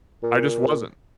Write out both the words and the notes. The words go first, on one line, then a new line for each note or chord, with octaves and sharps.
I just wasn't.
A#2